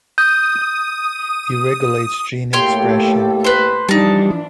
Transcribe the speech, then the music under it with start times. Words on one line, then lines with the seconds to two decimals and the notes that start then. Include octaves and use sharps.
It regulates gene expression.
0.18 D#6 G6
2.53 A2 A3 A#3 G4 A4 C#5 G5 C6
3.44 B4 C5
3.89 E3 F3 G3 D4 D#4 A5